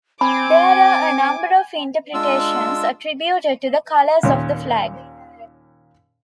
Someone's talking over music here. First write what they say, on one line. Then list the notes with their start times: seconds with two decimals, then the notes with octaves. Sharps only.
There are a number of interpretations attributed to the colours of the flag.
0.21 C4 G#5 B5 D6
2.14 G#3 D4 F4 E6
4.23 D#2 A#2 C#4